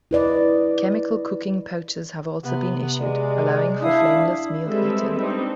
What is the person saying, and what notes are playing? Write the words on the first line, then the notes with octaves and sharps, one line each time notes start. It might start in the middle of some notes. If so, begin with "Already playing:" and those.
Chemical cooking pouches have also been issued, allowing for flameless meal heating.
E4 B4 D5 D#5
C3 B3
G#3 D5
D4 E4 F5 D#6
G3 G#3 C4 A4 B4 E5
G3 C4 D4 D#4